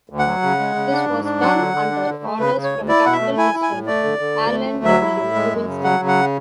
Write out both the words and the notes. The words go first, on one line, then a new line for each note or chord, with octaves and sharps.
This was done under orders from Capitol president Alan W. Livingston.
D2
F#5
F#3
C#3
G#3
C#3
D4
G#2
D4
F#3 F#5
D3
D3
D4
D3
A3
C#3 B4
C#3
C#5
D2
E4 D5
B2 F#5
E5
A3
E4 G#5
E4
G#5
A2
A3 D5
D3
D3
D2
A3
D2
F#3 E5
E4
A2
G#3
F#2
C#3
F#3 F#5
C#3
F#5